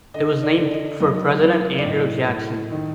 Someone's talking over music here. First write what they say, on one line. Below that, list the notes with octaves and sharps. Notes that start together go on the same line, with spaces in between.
It was named for President Andrew Jackson.
D3 D#5
D5
D3
D#5
F#2 D#5
F#2
D5
A2 D#5
A2
D#3